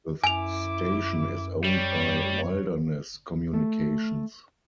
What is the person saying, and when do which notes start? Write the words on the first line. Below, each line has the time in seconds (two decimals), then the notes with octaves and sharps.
The station is owned by Wilderness Communications.
0.24 F#2 E4 G#5 D6 F7
1.64 G3 C#5
3.54 A3